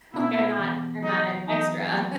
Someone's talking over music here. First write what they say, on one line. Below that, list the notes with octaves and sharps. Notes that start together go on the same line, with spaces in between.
like, I'm not I'm not ex extra,
B2 E4
E2
F#3 D#4
E2 D#4
F#3